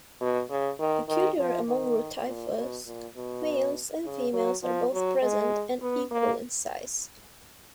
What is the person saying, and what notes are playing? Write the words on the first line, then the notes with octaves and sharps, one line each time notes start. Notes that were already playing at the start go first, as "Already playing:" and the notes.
Peculiar among rotifers, males and females are both present and equal in size.
B2
C#3
D#3
D#3
F3
D#3
A#2
B2
A#2
B2
C#3
F#3
F3
F#3
G#3
B3
A#3